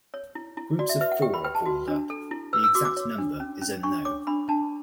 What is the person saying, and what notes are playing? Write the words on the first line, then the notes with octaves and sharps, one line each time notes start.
Groups of four are called up; the exact number is unknown.
C#5
E4
E4
F#4 D5
E5
B4 E5
F#5
G4 G5
B5
B4 G5
A5
F#4
D4
A4
E4
B4 E6
E6
F#4 D6
D6
C#5
D4
C#4
C#4
D4 C#6
C#5 D6
D4 B5
D4 A5